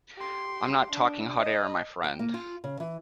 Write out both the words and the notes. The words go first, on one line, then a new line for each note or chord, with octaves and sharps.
I’m not talking hot air, my friend.
G4 C6
D4
D#5
G5
A#3
F4
C#3
E3